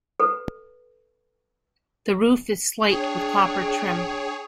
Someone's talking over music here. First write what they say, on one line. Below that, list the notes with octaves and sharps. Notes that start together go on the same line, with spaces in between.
The roof is slate with copper trim.
A4 B4
D4 G#4 C#5 G5